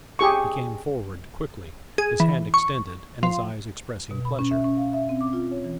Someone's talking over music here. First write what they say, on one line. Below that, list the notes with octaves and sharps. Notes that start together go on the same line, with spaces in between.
He came forward quickly, his hand extended, and his eyes expressing pleasure.
G4 G#4 C#6
G#4
E3
C#6
F3
B2
B5
C#4
E5
C#4
F5
E5
C4
D6
F4
C#5
E3